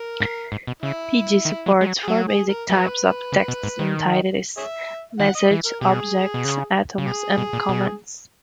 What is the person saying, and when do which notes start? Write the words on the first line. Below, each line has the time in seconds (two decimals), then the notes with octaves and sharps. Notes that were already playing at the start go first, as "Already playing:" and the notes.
Pd supports four basic types of text entities: messages, objects, atoms, and comments.
Already playing: A#4
0.20 G#2
0.52 G#2
0.67 B2
0.82 C#3 E4
1.45 D#3
1.66 F#3
1.81 G#3
1.87 F#3
2.03 G#4
2.07 F#3 F#4
2.29 G#4
2.49 A#4
2.70 F#3 E4 G#4 B4
3.32 C#3
3.48 B2
3.63 G#2
3.79 D#3
4.57 G#4 C#5 E5
5.19 D#3 F#5
5.35 D#5
5.51 E3
5.66 A#4
5.81 B2 G#4
6.34 B2
6.45 C#3
6.98 C#3
7.07 B2 G#4
7.38 B2
7.53 A#2
7.69 B2